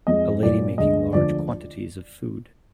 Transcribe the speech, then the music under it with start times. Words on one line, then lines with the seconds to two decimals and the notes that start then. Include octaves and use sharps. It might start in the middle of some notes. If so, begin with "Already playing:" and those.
A lady making large quantities of food.
0.07 F2 F3 G#3 D#5
0.42 A#2 F#3 D5
0.78 D2 D3 G#3 D#5
1.13 D2 D3 F3 G#3 D5